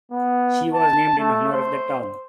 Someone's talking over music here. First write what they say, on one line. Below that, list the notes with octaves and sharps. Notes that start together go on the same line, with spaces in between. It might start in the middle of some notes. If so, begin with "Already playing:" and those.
She was named in honour of the town.
B3
A5
A3
C5